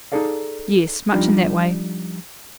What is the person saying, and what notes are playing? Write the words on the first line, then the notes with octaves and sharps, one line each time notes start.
'Yes, much in that way.
D#4 E4 G#4 A4 D5 F5
F3 G3 D4 D#4 F4 G4